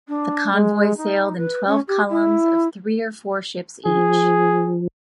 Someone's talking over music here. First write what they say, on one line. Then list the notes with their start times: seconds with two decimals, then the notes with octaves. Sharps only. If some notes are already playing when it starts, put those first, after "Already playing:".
The convoy sailed in twelve columns of three or four ships each.
0.08 D4
0.53 G#3
0.97 D#4
1.36 B4
1.66 C#4
1.88 G4
2.09 E4
3.86 F3 G#4